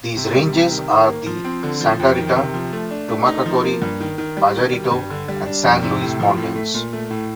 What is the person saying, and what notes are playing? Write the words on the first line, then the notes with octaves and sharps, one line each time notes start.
These ranges are the Santa Rita, Tumacacori, Pajarito, and San Luis Mountains.
C3
G3
C3
D#3
D#3
A#3
F3
C4
D3
F3
F2
D#3
C3
F3
A3
D4
A3
D#4
F3
A#3
G2
D#3
D#3
G3
D#3
G3
G2
D3
G3
D4
F2
C3
A2
F3
A2
A3
A#2
A3
A2